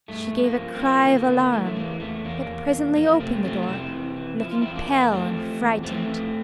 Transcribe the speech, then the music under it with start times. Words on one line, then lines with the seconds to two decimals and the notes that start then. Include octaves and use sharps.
She gave a cry of alarm, but presently opened the door, looking pale and frightened.
0.08 G2 A3
0.33 G2
0.44 A#3
0.57 F3
0.74 C4
0.80 F3 A#3
1.04 D3
1.16 A#3
1.29 D3
1.52 E3 A3
1.65 A3
1.76 E2 A#3
2.00 E2 A3
2.24 E2 A#3
2.48 E2
2.73 E2
2.96 F2 A#3
3.20 C3 A3 C4
3.44 F2 A3 C4
3.63 F4
3.68 C3 C4 E4
3.92 E3
4.16 E3
4.40 F3 E4
4.51 F4
4.61 E2 C4 E4
4.76 A#3 D4
4.87 E2
5.11 E2 A3 C4
5.35 F3
5.59 E2
5.83 E3 A3 C4
6.07 F2